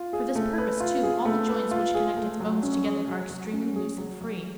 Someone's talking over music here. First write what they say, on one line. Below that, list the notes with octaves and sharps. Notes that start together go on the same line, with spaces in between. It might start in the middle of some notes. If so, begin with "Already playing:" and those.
For this purpose, too, all the joints which connect its bones together are extremely loose and free.
Already playing: F4
G#4
A3
B4
F4
G#4
A3
B4
F4
G#4
A3
F#3
C#4
G#4
F#3
F#3
C#4
G#4
F#3
F#3